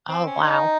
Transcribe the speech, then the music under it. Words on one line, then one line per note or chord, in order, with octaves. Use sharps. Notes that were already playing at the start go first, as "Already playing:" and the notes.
Oh, wow.
C4
C#4
D#4